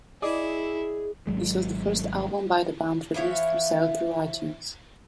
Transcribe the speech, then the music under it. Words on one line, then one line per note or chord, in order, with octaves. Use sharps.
This was the first album by the band released for sale through iTunes.
E4 G#4 D5 D#5 D6
G#1 F2 F#3 G#3
E3 F3 E4 C#5